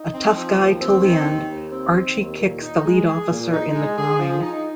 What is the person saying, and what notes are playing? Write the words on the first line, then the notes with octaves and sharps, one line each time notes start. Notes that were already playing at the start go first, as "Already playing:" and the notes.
A tough guy till the end, Archie kicks the lead officer in the groin.
Already playing: D#4
C4
F3
D#2
C4
D#3
D#2
D#2
C4
D#3
D#2
A#2
D#4
G#3
G#4
A#2
D#4
G#3
G#4
F3
D#4